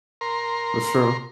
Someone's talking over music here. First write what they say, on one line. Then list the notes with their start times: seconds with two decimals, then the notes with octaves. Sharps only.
that's true.
0.21 A#4 C6